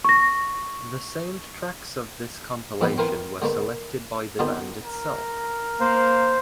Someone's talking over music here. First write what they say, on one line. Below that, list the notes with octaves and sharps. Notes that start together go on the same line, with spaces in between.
The soundtracks of this compilation were selected by the band itself.
C#6 A#6
F2 A2 B3 B4 B5
C4 E4 A#4 B4 G#5
D3 G#3 A#3 C#4 B4
A#2 D3 B3 C4 D#4 G4
A#4
A#3 C5